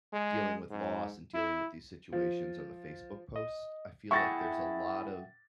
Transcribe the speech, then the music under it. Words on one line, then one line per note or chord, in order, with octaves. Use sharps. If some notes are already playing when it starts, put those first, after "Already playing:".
dealing with loss and dealing with these situations are the Facebook posts. I feel, like, there's a lot of
G#3
G#2
E4
F3
D#5
E4 G#4 E5 F#5 G5 C#6 A6 A#6